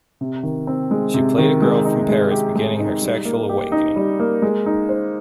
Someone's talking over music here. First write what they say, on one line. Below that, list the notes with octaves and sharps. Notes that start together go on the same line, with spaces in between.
She played a girl from Paris beginning her sexual awakening.
C3
D#3
C4
G#3
C3
D#3
G#3
D#4
G#3
G4
G#3
D#4
G3
A#3
G4
D#4
G3
A#3
G#3
D#4
C5